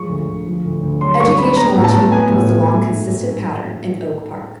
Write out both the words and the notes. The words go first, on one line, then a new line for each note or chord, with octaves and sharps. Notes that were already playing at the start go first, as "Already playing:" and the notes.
Educational achievement was the long consistent pattern in Oak Park.
Already playing: F3 G#3 C#6
D2
D2
F3
D2
D2
F#3 C6
G2 C#6
B3 B5
B3 A#5
A2
A5
A2
B3 G#5
A2
A2
A3
G#2
G#2